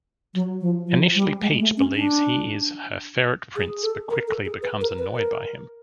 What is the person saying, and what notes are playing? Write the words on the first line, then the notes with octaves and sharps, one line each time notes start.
Initially Peach believes he is her ferret prince, but quickly becomes annoyed by him.
F#3
F3
F3
G3
G#3
A3
C#4
D4
G#4
A4
A#4
A4
G#4
B4
A#4
B4
A#4